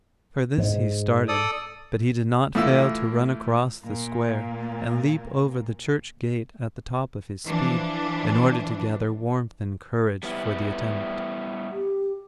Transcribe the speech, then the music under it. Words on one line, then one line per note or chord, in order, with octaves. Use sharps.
For this he started; but he did not fail to run across the square and leap over the church-gate at the top of his speed, in order to gather warmth and courage for the attempt.
G#2
A4 D5 D#6
A2 E3 E4 F4 E6
A#2 A#3
E3 F3 D4
G3 B3 E4
G4